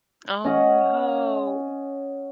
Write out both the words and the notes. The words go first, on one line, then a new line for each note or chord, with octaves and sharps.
Oh, no.
C#4 D#5 F#5